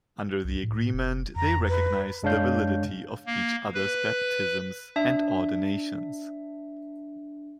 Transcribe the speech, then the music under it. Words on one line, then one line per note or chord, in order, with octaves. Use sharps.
Under the agreement, they recognize the validity of each other's baptisms and ordinations.
C2
A2
F1
F2 A#5
B4
F#2 G#3 D4 C#5 F5 G6
A#3
B4
D4 E5